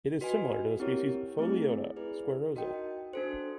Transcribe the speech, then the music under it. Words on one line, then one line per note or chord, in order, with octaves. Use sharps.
It is similar to the species "Pholiota squarrosa".
F#4 B4 D#5 G#5
C4 E4 G4 A#4 C#5
A3 C4 E4 G#4
E4 G#4 B4 D5
D#4 F#4 A#4 D#5 G5
D4 F#4 A4 C5